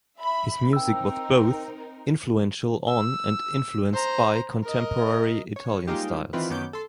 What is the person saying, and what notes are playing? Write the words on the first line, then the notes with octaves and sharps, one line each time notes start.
His music was both influential on, and influenced by, contemporary Italian styles.
E5 B5
C4 D#4 A#4 G5 E6
E6
C5 A#5
A#4 D#5
C#5
G3 G#3 A#3 D#4 F4 G4
D#3 E3 C4 F4 B4
F#2 D#3 B3 C#4 D6 G6
A4 C6